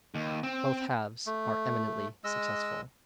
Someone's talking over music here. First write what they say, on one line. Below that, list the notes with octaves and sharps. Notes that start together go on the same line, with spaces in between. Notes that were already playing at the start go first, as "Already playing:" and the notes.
Both halves are eminently successful.
D#2
C4
A3
G#3 D#5 E6